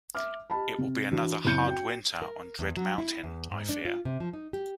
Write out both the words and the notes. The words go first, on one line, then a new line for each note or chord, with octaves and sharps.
It will be another hard winter on Dread Mountain, I fear.
E5 D6 F6
G4 D#5 A5 B5
C3
E3 D4 F#4
F#1 C4 E4 G6 C#7
F#4 G5
A#4
E2
F#3
E4
E2
G#2
D4
F4
C3
F3
D#4
G4